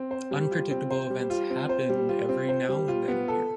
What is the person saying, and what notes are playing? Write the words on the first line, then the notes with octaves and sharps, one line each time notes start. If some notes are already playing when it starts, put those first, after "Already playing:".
Unpredictable events happen every now and then here.
Already playing: C4
C5
G3
F4
C4
C5
G3
F4
C4
C5
G3
F4
C4
C5
G3
F4
B3
A4